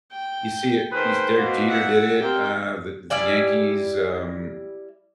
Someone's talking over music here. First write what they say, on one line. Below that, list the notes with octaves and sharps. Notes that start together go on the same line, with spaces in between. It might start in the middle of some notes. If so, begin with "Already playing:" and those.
You see it you se Derek Jeter did it, uh, the the Yankees, um,
G5
D#3 G#4 B4 C5
B2 A#3 F#4
E5 F#5
A#3 C4 G4 A#4 G5
G3 E4 D5 G#5